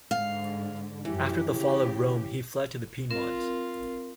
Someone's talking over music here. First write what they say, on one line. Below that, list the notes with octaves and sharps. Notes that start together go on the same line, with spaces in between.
After the fall of Rome he fled to Piedmont.
G#2 D3 F5
F#2 E3 G4
C#3 G4
C4 F4 A#4